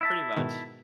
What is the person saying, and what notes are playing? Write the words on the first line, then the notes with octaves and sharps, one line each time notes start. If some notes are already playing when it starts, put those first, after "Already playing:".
Pretty much.
E4 E5 A5
G#2 B2 D#3